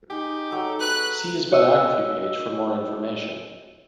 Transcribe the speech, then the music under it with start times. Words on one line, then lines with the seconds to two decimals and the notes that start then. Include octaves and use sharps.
See his biography page for more information.
0.10 D#4 G4 G#4
0.51 F#3 A4
0.81 B4 F#6
1.52 F#4 C#5 D#5 E6